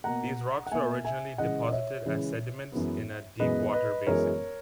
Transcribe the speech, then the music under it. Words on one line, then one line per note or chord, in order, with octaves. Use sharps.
These rocks were originally deposited as sediments in a deep water basin.
B2 A#3 F#5 A#5
F#5
B2 A#3 E5 G#5
E5 G#5
C#3 E3 G#3 D#5 F#5
D#5
C#5 E5
C#3 E3 G#3
F#2 E3 G#3 B3
F#2 E3 G#3 B3 B4 D#5
B4 D#5
F#2 E3 G#3 B3 A#4 C#5